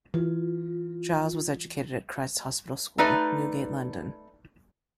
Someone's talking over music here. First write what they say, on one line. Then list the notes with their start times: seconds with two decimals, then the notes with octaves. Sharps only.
Giles was educated at Christ's Hospital school, Newgate, London.
0.14 E3 F4
2.98 A3 D#4 B4 D5